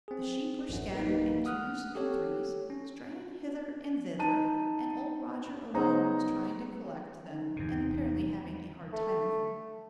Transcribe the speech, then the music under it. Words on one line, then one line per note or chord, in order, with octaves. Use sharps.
The sheep were scattered in twos and threes, straying hither and thither; and old Roger alone was trying to collect them, and apparently having a hard time of it.
C4 G#4
A1 F#2
A#3 D#4 B4
F#5 D#6 F6 F#6
G4 A4 C#5
C#4
D#4 A5 D#7
C#3 B3 D#4 G#4 C5 A#5
D3 C#4 D#4
E2 C3 E3 D#4
A3